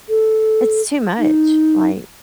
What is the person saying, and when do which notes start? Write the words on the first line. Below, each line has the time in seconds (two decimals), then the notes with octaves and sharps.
it's too much, like,
0.09 A4
1.19 D#4